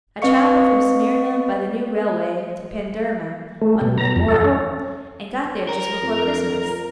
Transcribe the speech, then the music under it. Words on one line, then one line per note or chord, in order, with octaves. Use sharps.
I travelled from Smyrna by the new railway to Panderma on the Marmora, and got there just before Christmas.
C4 B4 D#5 F5 C#6 C#7
A3
B2
A#5
F2
A4
C#4
A#4
F2